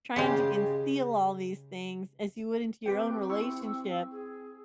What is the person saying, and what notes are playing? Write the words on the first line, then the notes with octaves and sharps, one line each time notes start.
trying to conceal all these things as you would into your own relationship,
C#3 G#3 G4
C4 G4 B4 G5
E4 C#6 E6
G#4